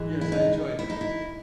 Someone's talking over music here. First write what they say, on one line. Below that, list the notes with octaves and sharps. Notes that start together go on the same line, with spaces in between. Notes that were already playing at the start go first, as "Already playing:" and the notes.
Yes, I enjoyed this.
Already playing: G#2 E3 G#3
E4
D#4
E4
D#4
E4